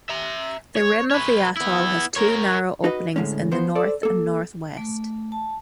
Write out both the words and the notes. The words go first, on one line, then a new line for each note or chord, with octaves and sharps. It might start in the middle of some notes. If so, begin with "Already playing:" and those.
The rim of the atoll has two narrow openings in the north and northwest.
E5 A#5
C#5
B4 C#5
B3 E4
A#4 C#5
D#4 F#4 B4 D#5
A2 D3 F#3 G#3 C#4
F3 B3 C5
A4 C5 D5
A#3 A4
A3
A5